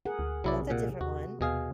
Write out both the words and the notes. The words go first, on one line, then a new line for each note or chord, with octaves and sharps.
that's a different one.
G#4 A#4 F#5
D2
B1 C3 F#3 E4 D5
A#2 F#5
D#2 F#4
D#2 B2 G#4 F5